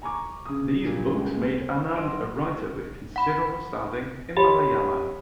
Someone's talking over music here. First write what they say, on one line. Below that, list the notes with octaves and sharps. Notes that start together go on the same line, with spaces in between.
These books made Anand a writer with considerable standing in Malayalam.
G#5 A#5 C#6 D6
C#3 D#6
A#2 F#3 G3 D4
C#2 G3 G#3
C4
F#3 F#4 D#5 C6 D7
F#5 B5
G4 C#5 B5